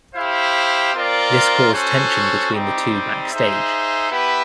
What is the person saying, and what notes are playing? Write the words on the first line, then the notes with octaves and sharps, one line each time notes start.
This caused tension between the two backstage.
E4 G4 C5 F5
C4 F4 A#4 D5
C#4 F#4 A4 C5
G3 C4 D#4 G4
D#4 G#4 C5 E5
B3 E4 G4 B4